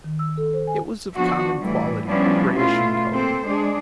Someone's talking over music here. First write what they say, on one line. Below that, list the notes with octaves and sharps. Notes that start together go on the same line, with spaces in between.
It was of common quality, grayish in colour.
D#3
E6
A4
C5
G#5
F3 B3 D4 F#4
A2 E3 G3
F3 G3 B3 C#4 D4 E4
B2 A3 E4 F4
A#3 C4 A4 C5
G#3 D4 G#4